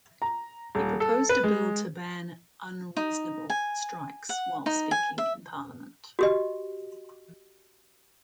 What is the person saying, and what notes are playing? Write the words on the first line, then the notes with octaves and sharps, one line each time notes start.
He proposed a bill to ban 'unreasonable' strikes while speaking in Parliament.
A#5
D#1
A4
B4
G#3
D#4
G#5
F#5
D#4
G#5
E5
F#4 G4 D#5